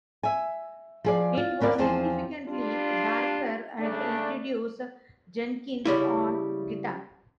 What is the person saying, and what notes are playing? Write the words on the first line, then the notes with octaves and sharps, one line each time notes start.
It was significantly darker and introduced Jenkins on guitar.
E5 G#5
F3 G#4 D5
F4
D#2 B3 A#4 D5 F5
E2 F3 C4 G#4 C5 A5
G3 D4 F4
C#3 A3 D4 D5
C#3 G3 E4